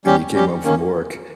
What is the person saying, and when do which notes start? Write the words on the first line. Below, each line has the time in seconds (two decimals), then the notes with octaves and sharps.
and you came home from work,
0.05 G3 C#4 G4
0.34 G3 C#4 G4
0.64 D#3 A#3 C#4